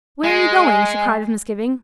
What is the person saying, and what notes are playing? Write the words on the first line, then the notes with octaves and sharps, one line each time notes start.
"Where are you going?" she cried with misgiving.
G#3